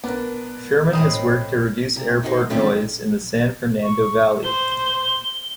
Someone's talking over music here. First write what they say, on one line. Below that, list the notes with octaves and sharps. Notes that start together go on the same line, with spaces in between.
Sherman has worked to reduce airport noise in the San Fernando Valley.
B3 D4 A#4
A2 C4 D#4 E4 D#5
C3
C3 D#4 E4 F#4 C5
F#2 D3 D#3 F3 C4 C#4
C#6
C5 G7